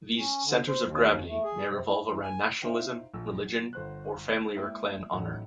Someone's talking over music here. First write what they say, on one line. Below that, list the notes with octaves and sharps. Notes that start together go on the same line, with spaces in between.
These centers of gravity may revolve around nationalism, religion, or family or clan honor.
C#4
D3
C5
D#2
A3
G#4
C3
E4
E3
G#5
D#4 E4 C5 E5 F5 G5
A#1 E6
F#3
G1 C5 F#6
G#3 A#3 E4 C#5 E5 G5
A1 A2 F#3 C#4 D#4 F#5